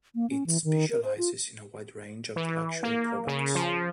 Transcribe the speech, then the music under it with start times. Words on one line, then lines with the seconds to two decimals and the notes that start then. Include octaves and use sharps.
It specialises in a wide range of luxury products.
0.15 A#3
0.30 C#4
0.46 E3
0.64 D#3
0.90 A#4
1.05 C5
1.18 F4
2.36 E3
2.83 A#3
3.27 C#3
3.55 F3